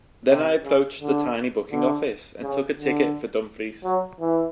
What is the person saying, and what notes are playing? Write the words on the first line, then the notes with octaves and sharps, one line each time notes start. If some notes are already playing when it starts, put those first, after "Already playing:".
Then I approached the tiny booking-office and took a ticket for Dumfries.
C3
C#3
D3
D3
C#3
D3
F#3
E3